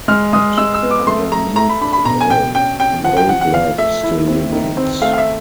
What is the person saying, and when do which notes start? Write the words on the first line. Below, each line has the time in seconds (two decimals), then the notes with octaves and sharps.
But underneath it all the old love still remains.
0.08 G#3 F6
0.33 G#3 D#6
0.58 G#3 E6
0.74 E6
0.83 B3
0.91 D6
1.07 A3 C6
1.32 A3 A#5
1.56 A3 A#5
1.69 B5
1.81 D4 B5
1.93 B5
2.05 B2 A#5
2.21 G#5
2.30 B2 G5
2.55 C#4 G5
2.79 C#4 G5
3.04 F3 F#5
3.17 G5
3.29 F3 F#5
3.41 F#5
3.54 F3 F5
3.78 A3 E5
4.03 E4
4.28 C4
4.52 D#3
4.77 C4
5.02 A3 F5
5.13 F5
5.18 E5